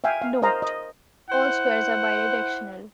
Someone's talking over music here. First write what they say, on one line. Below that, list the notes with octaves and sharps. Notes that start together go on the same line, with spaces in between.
Note: All squares are bidirectional.
E5 F5 G5 G#5
F5
A#4 C5 D#5 F5 A#5
D#5
E4 C5 F#5